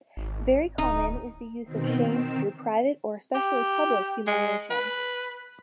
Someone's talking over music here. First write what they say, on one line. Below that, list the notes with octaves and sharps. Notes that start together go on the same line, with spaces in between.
Very common is the use of shame through private or, especially, public humiliation.
G#1
D1 D#4
B2 D#3 C4
D#3 C4 E7
G4
G#3
B4